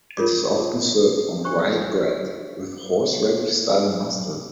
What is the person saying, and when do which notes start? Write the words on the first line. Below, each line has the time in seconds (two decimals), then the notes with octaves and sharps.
It is often served on rye bread with horseradish-style mustard.
0.17 F4 A#4 C#5 D6
1.44 D4 G4 C5 C#6